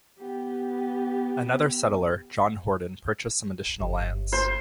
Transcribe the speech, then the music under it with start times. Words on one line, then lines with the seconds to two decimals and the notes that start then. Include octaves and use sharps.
Another settler, John Horton, purchased some additional lands.
0.19 B3 G4
3.80 G1
4.33 C5